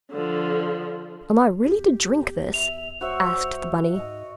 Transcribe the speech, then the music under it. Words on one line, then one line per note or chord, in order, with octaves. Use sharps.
"Am I really to drink this?" asked the bunny.
D3 F3
E2 G4
E5 F7
C#2 F#4 C5 C#5 E5
G#2 D#5